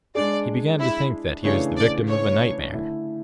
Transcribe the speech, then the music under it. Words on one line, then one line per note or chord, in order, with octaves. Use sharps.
He began to think that he was the victim of a nightmare.
G#3 D4 G#4 D5
E4
C#3 E3 A3 D4 G#4 C#5
D5
C#5
D3 A3 E4